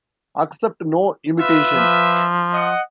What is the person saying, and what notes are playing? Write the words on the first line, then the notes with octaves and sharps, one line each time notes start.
Accept no imitations.
F4 B4 E5
F3
D#5 F#5